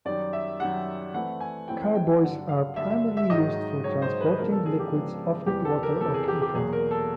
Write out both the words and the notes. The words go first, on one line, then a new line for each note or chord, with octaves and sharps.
Carboys are primarily used for transporting liquids, often water or chemicals.
F#2 D#3 G3 D5
E5
F#2 D#3 G3 F#5
E3 A3 C4 E4 F#5
G#5
E3 A3 C4 E4 G5
G5
G2 D3 F#3 F#5
F5
G2 D3 F#3 E5
E5
E5
G#2 D#3 F#3 D#5
G#2 D#3 F#3 C#5
C5
B4
C#3 F3 G#3 B3 D4 A#4
A4
G#4
G4
C#3 F3 G#3 B3 D4
E2 C3 E3 G4
A4
A#4
E2 C3 E3 A4
G#4
G4
G4
E2 B2 F#3 A#3 G#4
A#4
A4